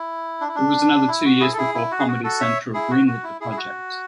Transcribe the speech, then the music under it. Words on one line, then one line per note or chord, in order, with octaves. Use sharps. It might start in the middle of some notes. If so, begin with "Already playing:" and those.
It was another two years before Comedy Central greenlit the project.
Already playing: E4
D4
E4
D4
E4
F#4
E4 G#4
A4
E4 G#4
E4
F#4
G#4
F#4
F#4 A4
C#5 E5
E4 G#4
F#4
F#4
E4
E4 G#4
G#4
F#4